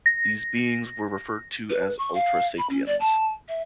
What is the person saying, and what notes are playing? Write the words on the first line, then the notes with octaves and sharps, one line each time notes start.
These beings were referred to as "Ultra Sapiens".
A#6
B4
C#6
F5
B5
C#4
D5
A5
E5